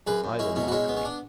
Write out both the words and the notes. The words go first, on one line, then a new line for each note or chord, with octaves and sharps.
Idle mockery.
F#2 G#4 B4
F#2
G#3 C#4 E4
B2 C#4 E4
F#4
G#3 C#4 E4
B3
C#4
D4